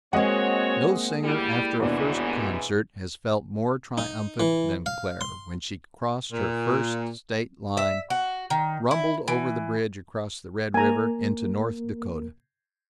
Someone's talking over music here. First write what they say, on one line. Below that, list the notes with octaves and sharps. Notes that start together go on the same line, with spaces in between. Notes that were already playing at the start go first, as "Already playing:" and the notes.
No singer after a first concert has felt more triumphant than Claire when she crossed her first state-line; rumbled over the bridge across the Red River into North Dakota.
G#3 A#3 C4 F#4 G#4 C#5 D#5 F#5
G3 E4 G4
D#2 G#2 B2 E3 D4
D#4
E3
F5
C6
A#2
E5
F#4
D#3
E4
E3
A#3 A#4 G#5 A#5